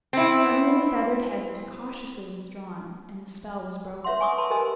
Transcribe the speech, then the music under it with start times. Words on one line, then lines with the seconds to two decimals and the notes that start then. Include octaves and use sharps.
Suddenly the feathered head was cautiously withdrawn, and the spell was broken.
0.13 C4 E4
4.04 B4 C#5 E5 F#5 C6
4.21 G#5 C#6 D#6 E6
4.38 B4 A5 B5 C6
4.50 G4 A#4 C5 D#5 G#5 E6